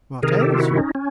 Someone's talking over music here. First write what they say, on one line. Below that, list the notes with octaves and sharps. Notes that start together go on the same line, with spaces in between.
'What ails you?
C3 D#3 G#4 A#4
G4 A4
F4
E4 F#4
C#4 D#4
C#4